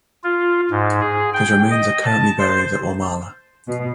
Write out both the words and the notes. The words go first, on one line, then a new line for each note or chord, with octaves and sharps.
His remains are currently buried at Wamala.
F4
G#2
G#4
G5
D#5
A5
C5
B2